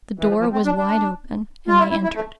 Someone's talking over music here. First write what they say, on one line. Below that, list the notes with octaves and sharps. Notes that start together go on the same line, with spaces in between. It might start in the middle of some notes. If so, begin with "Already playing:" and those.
The door was wide open, and they entered.
E3
F3
F3
C4
D4
D4
F4
E4
E4
E4
A3